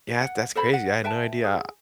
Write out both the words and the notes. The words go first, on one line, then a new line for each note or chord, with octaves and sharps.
yeah, th that's crazy, I had no idea
F#5
A4 C5 B5
F#5
B4 E5 G5 A5
G#4